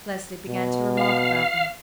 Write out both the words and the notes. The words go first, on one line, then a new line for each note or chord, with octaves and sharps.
Leslie began to remark about them.
B2
F5